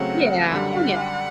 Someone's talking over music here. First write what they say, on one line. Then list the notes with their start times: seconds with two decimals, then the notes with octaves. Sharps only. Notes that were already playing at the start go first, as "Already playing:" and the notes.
Yeah. Oh yeah,
Already playing: C#3 F#3 A3 C4 F#5
0.51 F#2 D3 G3 F#5